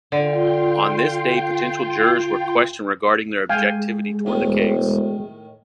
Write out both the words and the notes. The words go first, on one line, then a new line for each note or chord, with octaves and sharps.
On this day potential jurors were questioned regarding their objectivity towards the case.
D3 F4 G5 C6
G#3 F5 G5 G#5
E1 A2 D#3